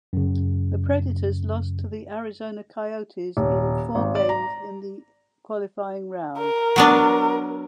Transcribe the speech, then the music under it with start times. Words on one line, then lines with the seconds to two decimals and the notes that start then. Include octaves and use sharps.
The Predators lost to the Arizona Coyotes in four games in the qualifying round.
0.13 F#2 C#3
3.37 D#1
3.95 G#1
4.15 D5
4.29 A#5
6.39 A#4
6.76 F#3 B3 D4